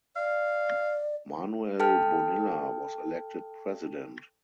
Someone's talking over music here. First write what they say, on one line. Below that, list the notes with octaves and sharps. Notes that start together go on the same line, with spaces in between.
Manuel Bonilla was elected president.
D5 F5
A4 G5 A5 F6